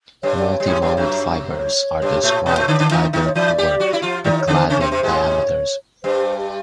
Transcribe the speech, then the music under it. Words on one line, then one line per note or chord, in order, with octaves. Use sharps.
Multi-mode fibers are described by their core and cladding diameters.
G2 G3 C#5
D5
C#5
G3
G#2 G#3
G2 G3
F#2 F#3
C#5
G2 G3
A2 A3
B2 B3
A2 A3
D3 D4
D3 D4
D#3 D#4
D#3 D#4
C#5
E3 E4 D5
G3 G4
F#3 F#4
E4
F3 F4
D#3 D#4 D5
C#5
D3 D4
C5
C#3 C#4 C#5
C3 C4
C3 C4 C5
G#2 G#3
C#5
G2 G3 C5